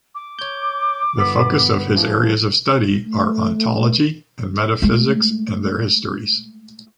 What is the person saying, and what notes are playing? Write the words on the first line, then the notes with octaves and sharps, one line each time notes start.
The focus of his areas of study are ontology and metaphysics and their histories.
D6
C#5 G6
G1 B3 B5
E3 F3
A3
G#3 A3